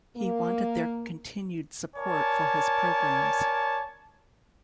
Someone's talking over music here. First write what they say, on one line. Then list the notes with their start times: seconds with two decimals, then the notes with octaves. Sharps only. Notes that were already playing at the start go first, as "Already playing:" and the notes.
He wanted their continued support for his programs.
0.17 A#3
1.96 A#4 C#5 D5 G#5 A5